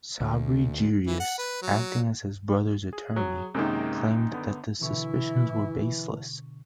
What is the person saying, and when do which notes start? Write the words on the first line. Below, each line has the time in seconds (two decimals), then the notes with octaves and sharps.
Sabri Jiryis, acting as his brothers attorney, claimed that the suspicions were baseless.
0.20 D2
1.07 E3
1.20 F#5
1.38 B4
1.62 F#3
2.93 G#4
3.16 F#3
3.54 F#2 C3 D#3 G#3 A#3
4.33 D3 B3
4.82 B2 D3 E3 E4 C#6